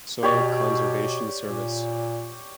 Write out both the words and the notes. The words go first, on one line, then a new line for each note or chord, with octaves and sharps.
Soil Conservation Service.
B2 G4 C#5 D5
A#2